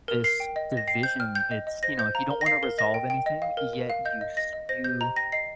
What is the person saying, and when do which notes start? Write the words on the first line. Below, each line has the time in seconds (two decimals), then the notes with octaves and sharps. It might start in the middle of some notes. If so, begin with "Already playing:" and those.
this division, it's you know, if you don't wanna resolve anything, yet you spew
0.08 A#4
0.24 A#4 C7
0.40 G5
0.56 D#5
0.72 D#5
0.77 A#6
0.87 G5 C7
1.03 C5 G6
1.19 G5 F6
1.35 G5 G6
1.51 D#5
1.67 D#5
1.83 C5 A#6
1.99 C5 G6
2.15 F5 A#5
2.31 A#4
2.41 A#6
2.46 F5 C7
2.63 A#4
2.78 D#5 A#6
2.94 G5
3.10 G5
3.26 D#5
3.42 F5
3.57 A#4
3.73 A#4
3.90 F5
4.05 D#5 G6
4.21 D#5
4.37 D#5 A#6
4.53 D#5
4.69 C5 A#6
4.84 G4 G6
5.01 D#5 A#5
5.16 G5 A#6
5.32 D#5 C7